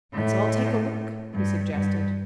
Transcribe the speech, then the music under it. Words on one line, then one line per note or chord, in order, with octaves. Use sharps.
"Let's all take a look," he suggested.
A2
G2
G2